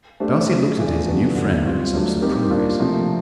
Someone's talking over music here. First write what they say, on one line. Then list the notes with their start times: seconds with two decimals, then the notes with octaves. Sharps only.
Darcy looked at his new friend in some surprise.
0.20 A3 D4 G4 C5
0.49 F#3 A3 D4
0.78 E3 A3 D4 F4 G#4
1.07 D3 G3 B3 D4 F#4
1.35 D3 F#3 B3
1.64 G3 C4 F4
1.93 F#3 A3 D4
2.22 G3 C4 D#4 G4 A#4
2.51 A#3 D4 F4
2.79 C3 F3 A3 C4 F4